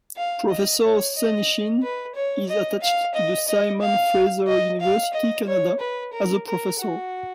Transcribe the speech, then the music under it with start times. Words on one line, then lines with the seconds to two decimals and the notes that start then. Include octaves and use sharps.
Professor Senyshyn is attached to the Simon Fraser University, Canada as a Professor.
0.17 F5
0.49 D#5
0.83 C#5
1.16 D#5
1.83 B4
2.15 C#5
2.49 D#5
2.82 F5
3.15 D#5
3.48 D#5
3.81 F5
4.47 D#5
4.80 F5
5.14 D#5
5.46 C#5
5.80 B4
6.13 A#4
6.46 A#4
6.79 F#4